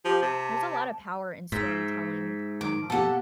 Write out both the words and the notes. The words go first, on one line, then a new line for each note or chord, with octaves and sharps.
there's a lot of power in storytelling, um,
F3 G4
C3 A5
G#2 E5
D#3 D6
B2 A#3 G4 A4 F#5